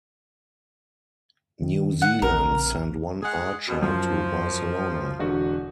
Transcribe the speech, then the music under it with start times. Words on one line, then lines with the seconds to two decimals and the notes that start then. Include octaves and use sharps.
New Zealand sent one archer to Barcelona.
1.62 D#3
2.02 F#5
2.22 A#1 C4 A#4
3.22 G#3 G#4 F#5
3.68 F#2 B2
3.82 F#2 F3
5.19 E1 D3 F#4